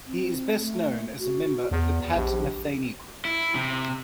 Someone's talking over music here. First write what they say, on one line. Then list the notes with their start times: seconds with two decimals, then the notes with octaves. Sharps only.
He is best known as a member of the Pat Metheny Group.
0.06 C4
0.61 A3
1.19 F#4
1.71 E2 B3
2.16 A#1 G4
3.25 E4
3.55 C3